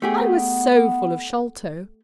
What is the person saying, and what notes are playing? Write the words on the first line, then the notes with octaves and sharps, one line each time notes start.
I was so full of Sholto.
A3 B3 G4 G#4